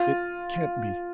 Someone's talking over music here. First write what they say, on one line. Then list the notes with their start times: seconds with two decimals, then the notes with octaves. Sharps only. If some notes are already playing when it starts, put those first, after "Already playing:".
It can't be.
Already playing: F4